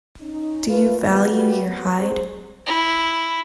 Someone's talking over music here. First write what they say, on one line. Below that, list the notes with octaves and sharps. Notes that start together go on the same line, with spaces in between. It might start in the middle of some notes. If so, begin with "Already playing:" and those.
Do you value your hide.
C#4 D#4
A3 A#3 F4 B4
C3 E3 G3 B3 F4
G3 A3 A#3 F#4 G4 B4
F2 F#3 B3
C4 G#4 C5
E4